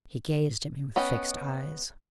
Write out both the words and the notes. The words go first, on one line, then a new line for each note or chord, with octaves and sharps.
He gazed at me with fixed eyes.
B3 C#4 D#5 G5